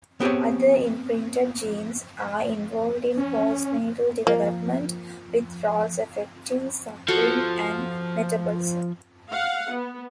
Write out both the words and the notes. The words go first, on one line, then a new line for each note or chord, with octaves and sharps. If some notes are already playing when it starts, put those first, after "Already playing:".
Other imprinted genes are involved in post-natal development, with roles affecting suckling and metabolism.
B3 C4 G4 G#4 C#5
C#4
F3 A#3
F3 F#4 A4 F#5
F5 F#5
B3